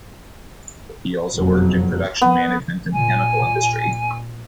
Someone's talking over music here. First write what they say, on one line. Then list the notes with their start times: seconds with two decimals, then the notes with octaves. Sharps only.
He also worked in production management in the chemical industry.
1.35 F#1 F2 B2 F#3
2.22 B3
2.93 A#2 G#5